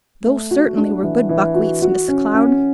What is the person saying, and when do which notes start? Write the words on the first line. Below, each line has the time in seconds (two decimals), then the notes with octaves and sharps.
Those certainly were good buckwheats, Miss Cloud.
0.24 A3
0.51 F#4
0.77 D4
1.03 E3
1.29 E3
1.55 F#4
1.82 F#4
2.08 C#4
2.34 C#4